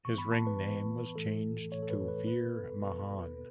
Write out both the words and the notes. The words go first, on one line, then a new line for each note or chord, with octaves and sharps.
His ring name was changed to Veer Mahaan.
A2 E3 B3 C#6
B5
A5
B4
A2 E3 B3
A2 E3 A3 A4
A2 E3 A3 C#5
A4
B4
B4
B2 B3 B4
A4
B2 B3 B4